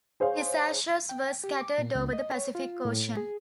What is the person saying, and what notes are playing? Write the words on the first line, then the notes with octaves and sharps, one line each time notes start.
His ashes were scattered over the Pacific Ocean.
G#4 C5 C#5 F5
G5
G4
D6
A#2
C#2
D#5
C#5
F4
A2
G#4